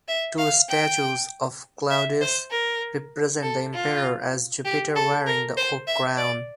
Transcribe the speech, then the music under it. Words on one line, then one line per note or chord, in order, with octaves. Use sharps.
Two statues of Claudius represent the emperor as Jupiter wearing the oak crown.
E5
F5
G5
E5
C5
A#4
A4
F4
G4
A4
A#4
C5
E5
D5